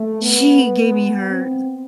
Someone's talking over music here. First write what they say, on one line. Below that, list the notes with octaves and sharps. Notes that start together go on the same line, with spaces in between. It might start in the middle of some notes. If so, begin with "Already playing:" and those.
she gave me her
Already playing: A3
B3
C4